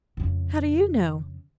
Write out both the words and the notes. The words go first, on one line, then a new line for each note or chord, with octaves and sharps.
"How do you know?"
F2 C#3